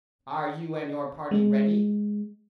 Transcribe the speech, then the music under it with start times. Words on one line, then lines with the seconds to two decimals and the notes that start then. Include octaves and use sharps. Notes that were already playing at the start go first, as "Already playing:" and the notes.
"Are you and your party ready?"
1.31 G#3